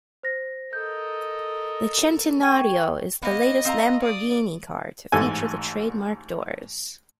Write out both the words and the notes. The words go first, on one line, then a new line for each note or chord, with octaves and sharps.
The Centenario is the latest Lamborghini car to feature the trademark doors.
C5 A#6
A4 A#4 D#5 G6
G5 C#6 G#6 D#7
A#3 B3 D#5
C4 F5 A#5
D5 D#6
A1 G#2 A4 G#5